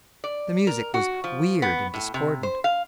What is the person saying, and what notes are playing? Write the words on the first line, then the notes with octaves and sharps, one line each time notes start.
The music was weird and discordant.
D5
A#4
F#4
F3
B3
A2
C3
C5
F5